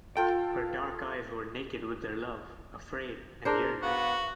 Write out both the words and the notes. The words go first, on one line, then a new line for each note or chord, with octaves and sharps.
Her dark eyes were naked with their love, afraid, and yearning.
F4 A4 G5
D4 G#4 A#4 C5
B3 F#4 F5